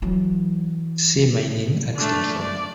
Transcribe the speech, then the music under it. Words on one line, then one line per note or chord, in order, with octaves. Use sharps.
See mining accident for more.
E3 F#3
A3 D4
D5